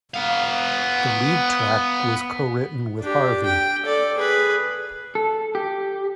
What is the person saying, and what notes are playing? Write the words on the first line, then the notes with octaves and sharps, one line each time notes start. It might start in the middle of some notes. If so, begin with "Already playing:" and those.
The lead track was co-written with Harvey.
B3 F5
D4 G4
G5
A4 D5
G#4 B4
A4
G4